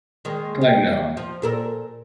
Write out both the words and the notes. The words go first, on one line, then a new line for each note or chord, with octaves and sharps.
I know.
D#3 G#3 A#3
G4
F3
A#2 A4 A#4